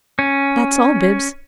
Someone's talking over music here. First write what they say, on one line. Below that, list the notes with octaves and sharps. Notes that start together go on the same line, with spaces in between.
That's all, Bibbs.
C#4